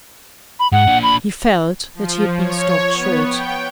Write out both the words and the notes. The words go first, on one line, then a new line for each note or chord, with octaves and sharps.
He felt that he had been stopped short.
B5
G#2 F#5
A#2 D4
B5
F3
C#5
B3
G5